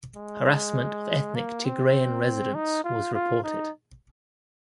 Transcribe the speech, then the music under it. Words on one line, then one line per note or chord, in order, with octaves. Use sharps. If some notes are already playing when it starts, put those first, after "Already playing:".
Harassment of ethnic Tigrayan residents was reported.
G#3
A#3
C4
D#4
F4
F4
D#4